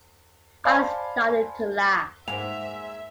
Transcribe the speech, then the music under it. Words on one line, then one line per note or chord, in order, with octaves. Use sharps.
I started to laugh.
C5 D5 F5 G#5 A5 B5
G#2 A#3 C5 E5 F#5 G#5 F7